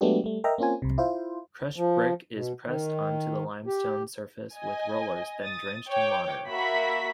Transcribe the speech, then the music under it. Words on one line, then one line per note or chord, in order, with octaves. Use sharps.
Crushed brick is pressed onto the limestone surface with rollers, then drenched in water.
F#3 G#3 A3 B3 D4 G4
G3 A3
A#4 D#5 E5 G5 A#5
A#3 C4 C#4 F4 G#5
C2 C3
E4 F4 C5
F3
B2
D#3
G4
D#5 G#5
D#6 A6
C#5 G5 D6
A#3 F#4 E5 B5 B6